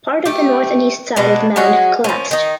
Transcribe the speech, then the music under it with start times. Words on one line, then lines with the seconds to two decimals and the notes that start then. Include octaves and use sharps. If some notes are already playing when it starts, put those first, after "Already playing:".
Part of the north and east side of the mound have collapsed.
0.26 A3 G4
1.16 B2 G#3 D4
1.56 F#3 G#3 C#4 F#4
2.04 F3 C#4
2.31 D#3 D#4